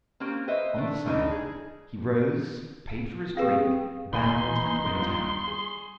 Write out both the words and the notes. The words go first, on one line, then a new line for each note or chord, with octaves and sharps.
On the sign he rose, paid for his drink, bowed, and went out.
A#3 C4 C#4 G4
B4 C5 D#5 E5
A3 D4
C#3 E3 A3 D4 D#4 A4
G#4
C4 G4 G#4 B4 F5
F1 D#2 A2 D#4 G#5 B5 C6
D#1 E3
G2 G3 B3 F4
G#4